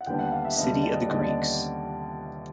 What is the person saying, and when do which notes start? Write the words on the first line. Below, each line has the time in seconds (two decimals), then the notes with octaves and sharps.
"City of the Greeks".
0.01 F#5
0.06 D#2 D3 G3 B3 D4 G5
0.19 F#5
0.32 F5
0.45 E5
0.57 D#2 D3 G3 B3 D4 D#5
0.83 D5
0.92 D#5
1.01 D5
1.08 D#2 D3 G3 B3 D4 D#5
1.19 D5
1.28 D#5